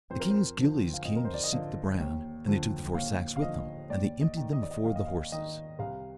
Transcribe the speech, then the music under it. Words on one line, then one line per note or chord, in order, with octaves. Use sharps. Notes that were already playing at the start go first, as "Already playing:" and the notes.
The king's gillies came to seek the bran, and they took the four sacks with them, and they emptied them before the horses.
F2 C5
A#4
C5
D3 F3
F5
F2 D#5
A#4
C5
D5
D#5
D3 F3 F5
D#2
D3 F3
D#2 F5
F5
D3 F3 D#5
D#2 D5
D#5
D#3
D#5
D5
D#5
D#2 F5
D#5
F5
D#3 D#5
C2 F5